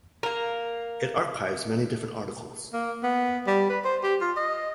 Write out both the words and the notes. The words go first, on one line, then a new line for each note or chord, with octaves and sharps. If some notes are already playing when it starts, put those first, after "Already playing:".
It archives many different articles.
A#3 A#4
A#3
B3
G3
B4
C5
G4
F4
D#5